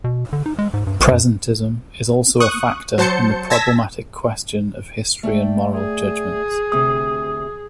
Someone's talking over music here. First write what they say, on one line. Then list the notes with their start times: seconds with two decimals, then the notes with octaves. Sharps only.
Presentism is also a factor in the problematic question of history and moral judgments.
0.04 B2
0.33 D3
0.46 D#4
0.59 G#3
0.74 G#2
0.87 G2
1.00 A#1
1.12 F#2
2.40 C#6 D#6 F#6
2.98 F#3 C5 A5 G6 C#7
3.50 A5 E6 G#6 A#6 B6
5.23 A3 D5 G5
5.75 G#4
6.72 D2 C3 D#6